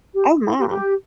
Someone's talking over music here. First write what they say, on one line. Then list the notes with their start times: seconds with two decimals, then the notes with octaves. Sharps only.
Oh, my.
0.14 G4
0.47 E4
0.59 G4
0.69 G4